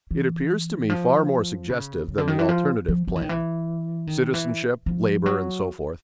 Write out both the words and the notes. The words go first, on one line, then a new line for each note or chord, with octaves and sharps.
It appears to me far more suggestive than the alternative plan--Citizenship, Labour, and so forth.
E3
F3
C#3
C#3
D3
D#3
E3
F3
F3
F3
E3
D#3
E3
D#3
E3
F3
F#3